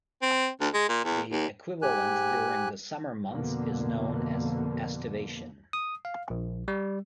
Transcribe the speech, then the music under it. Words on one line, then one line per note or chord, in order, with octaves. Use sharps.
The equivalent during the summer months is known as aestivation.
C4
D2
G#3
A#2
E2
D#2
G#2 G4 G#5 F#6
F2 B2 D3 A#3
D#6
F5
A#1
G3